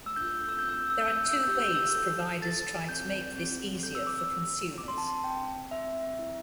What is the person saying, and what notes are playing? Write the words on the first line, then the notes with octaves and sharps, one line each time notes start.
There are two ways providers try to make this easier for consumers.
A3 E6
G6
E6
G6
C4 E6
G6
E6
G6
E6
A3 G6
E6
G6
E6
G4 G6
E6
G6
E6
A4 G6
A4 A6
C4 G6
C4
A4 G6
E6
D6
E6
A4
C4 D6
C6
A5
C6
C4 G5
C4 E5
E4